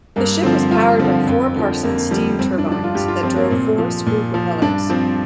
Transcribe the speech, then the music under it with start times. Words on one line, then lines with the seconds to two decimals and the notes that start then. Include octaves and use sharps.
The ship was powered by four Parsons steam turbines that drove four screw propellers.
0.16 G2 A#3
0.43 D3 F3 C4
0.71 G2 F4
0.99 D3 F3 C4
1.27 F2
1.56 D3 F3
1.83 F2 A#3
1.97 A#3
2.11 D3 F3 G3
2.39 G2 C4
2.58 D4
2.66 F3
2.72 D4
2.84 F4
2.95 G2 G4
3.08 F4
3.23 F3 C4
3.36 A#3
3.51 A#2 C4
3.78 F3
4.06 A#2
4.34 F3
4.62 G2 D4
4.90 F3 C4